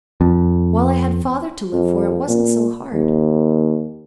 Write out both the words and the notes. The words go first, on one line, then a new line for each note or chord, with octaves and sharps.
While I had Father to live for it wasn't so hard.
F2
F2
A#2
D#2